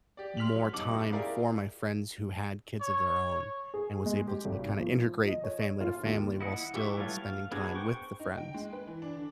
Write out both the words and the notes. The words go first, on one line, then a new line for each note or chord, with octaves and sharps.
more time for my friends who had kids of their own and was able to kinda integrate the family to family while still spending time with the friends.
G4 D5
C6 F6 B6 F7 F#7
F#3
D#1 B2 D#4 D6 F#7
F#1
E4 G4 G#4 A#4 D5 F5
C#5
G#4
G#3
G4
G#1
F3
D#5
C#5
F4
D#2
E4 D#5 F#5
E3 G4 E5 C#6
E3 F#3 G3 A3 F4
F5
B3 D4 F#4 G#4 A#4
C5 G5 C#6
D#4
G5
G#3
B4
E3
D4
D3